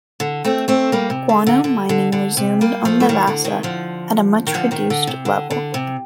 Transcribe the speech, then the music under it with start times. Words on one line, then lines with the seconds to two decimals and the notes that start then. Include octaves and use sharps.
Guano mining resumed on Navassa at a much reduced level.
0.20 D3
0.45 A3 C4
0.68 A3 C4
0.92 G3 A#3
1.10 C3
1.29 D3
1.47 D3
1.64 D3
1.89 D3
2.12 D3
2.37 C3
2.61 G3 A#3
2.85 F3 A3
3.00 A3
3.09 D#3 G3
3.27 D3
3.44 C3 D#3
3.63 D3 F3
4.47 D#3
4.54 D3 F3
4.71 C3 D#3
4.90 D3
5.07 C3
5.25 D3
5.50 D3
5.74 C3